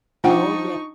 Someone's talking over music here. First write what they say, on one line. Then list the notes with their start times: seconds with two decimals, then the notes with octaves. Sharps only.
Oh, ye
0.24 F3 D4 D#4 F#5 G5 C#6